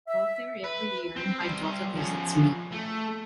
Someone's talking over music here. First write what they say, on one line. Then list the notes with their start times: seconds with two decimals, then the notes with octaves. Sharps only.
I go there every year and my daughter visits me.
0.08 E5
0.64 B4
1.16 C4
1.41 G3 C5
1.95 F3 C#4
2.72 A3